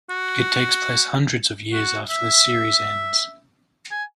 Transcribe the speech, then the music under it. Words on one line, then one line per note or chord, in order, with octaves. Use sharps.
It takes place hundreds of years after the series ends.
F#4
F#4
E5
G#5